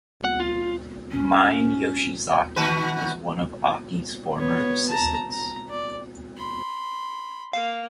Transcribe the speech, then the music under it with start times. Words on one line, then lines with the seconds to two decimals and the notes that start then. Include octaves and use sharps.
Mine Yoshizaki is one of Aki's former assistants.
0.24 F#5
0.40 F4
1.11 C#4
2.56 D#3 F#4 B4
4.37 B3 C#5
4.89 A5 A#5
5.32 A#5
5.70 D5
6.36 B5 C6
7.53 A#3 F5